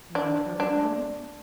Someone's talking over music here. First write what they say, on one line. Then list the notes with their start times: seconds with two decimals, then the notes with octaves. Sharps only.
You have heard of him?
0.15 D4
0.60 D4